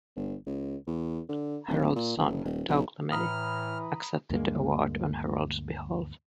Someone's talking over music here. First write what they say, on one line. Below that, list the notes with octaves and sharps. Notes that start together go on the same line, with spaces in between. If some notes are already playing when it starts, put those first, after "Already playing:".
Harold's son, Doug LeMay, accepted the award on Harold's behalf.
G1
C#2
E2
D3
D1
A#2
F#1
D#1
B1
A2 E3 A#5 B5 D#6 F6
D2 G2 G#3 A#3